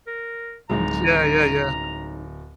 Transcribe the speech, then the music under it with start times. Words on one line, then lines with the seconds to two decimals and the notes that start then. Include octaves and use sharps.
Yeah, yeah, yeah.
0.07 A#4
0.69 D1 F#3 G#3 C#4 D#4 A#5